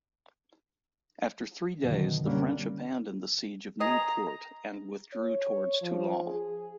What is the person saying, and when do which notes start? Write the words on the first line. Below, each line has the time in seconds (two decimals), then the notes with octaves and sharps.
After three days the French abandoned the siege of Nieuwpoort and withdrew towards Toulon.
1.83 F#2 B2 D3 D#3
2.25 D3 G3 A#3 C#4 D4
3.80 G#4 D#5 A#5
5.13 C#5
5.82 F3
6.27 G#4